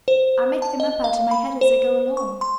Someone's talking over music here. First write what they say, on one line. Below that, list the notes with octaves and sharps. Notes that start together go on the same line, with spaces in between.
"I make them up out of my head as I go along."
C5
A5
D#5
F5
B5
C5
C#6
C6